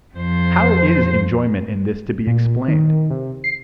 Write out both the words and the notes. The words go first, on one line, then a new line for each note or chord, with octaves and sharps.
How is enjoyment in this to be explained?
F2 C5
A#2
D#3
C3
C7